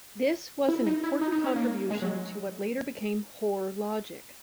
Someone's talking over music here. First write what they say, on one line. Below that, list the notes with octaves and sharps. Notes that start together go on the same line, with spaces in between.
This was an important contribution to what later became Hoare logic.
E4
D#4
E4
D#4
D#4
C#4
A#3
G#3
F#3